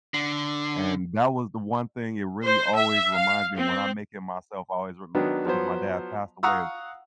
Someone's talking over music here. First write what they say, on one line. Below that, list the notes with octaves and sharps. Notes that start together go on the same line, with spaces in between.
And that was the one thing it really always reminds me when I make it myself, I always rem 'cause my dad passed away,
D3
C5
E5
F5
C4
D#3 F#3 B3 D4
F3 F#3 B3 C5
F5 F#5 A#5 C#6 D#6 E6